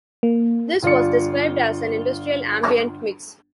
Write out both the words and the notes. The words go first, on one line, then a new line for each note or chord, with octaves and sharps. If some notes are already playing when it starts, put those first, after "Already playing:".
This was described as an industrial ambient mix.
A#3
G1 F4 D5 C#7